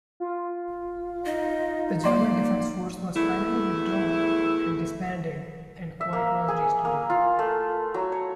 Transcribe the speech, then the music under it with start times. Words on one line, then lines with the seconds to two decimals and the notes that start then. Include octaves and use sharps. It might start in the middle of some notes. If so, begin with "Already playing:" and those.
The German defense force was finally withdrawn and disbanded and quiet was restored.
0.20 F4
1.26 D#4 D#5
2.04 A#3 D5 C6
3.15 E2 A3 E4
6.01 E5
6.13 A#3
6.48 G#4
6.85 A#3
7.10 F4
7.39 A3
7.94 F#3
8.12 C#5